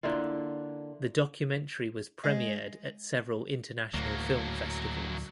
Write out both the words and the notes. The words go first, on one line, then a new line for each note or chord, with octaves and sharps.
The documentary was premiered at several international film festivals.
D3 A#3 E4 F4
G#3
D2 A2 F#3 A#3